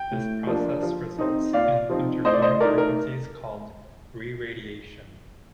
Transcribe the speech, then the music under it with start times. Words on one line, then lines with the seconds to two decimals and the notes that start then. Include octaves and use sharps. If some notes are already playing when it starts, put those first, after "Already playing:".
This process results in interfering frequencies called reradiation.
Already playing: G5
0.11 A2
0.47 F3 A#3 D4
0.83 F3
1.19 C4 D#4
1.53 A#2 D5 F5
1.90 F3 C4 D#4
2.25 A2 C5 D#5
2.33 D5
2.42 C5 D#5
2.60 A3 A#4 D5
2.64 D#4
2.78 A#4